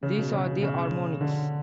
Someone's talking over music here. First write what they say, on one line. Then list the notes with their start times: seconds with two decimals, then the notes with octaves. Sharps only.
These are the harmonics.
0.03 C#3
0.18 B2
0.32 C#3
0.47 B2
0.62 C#3
1.21 D3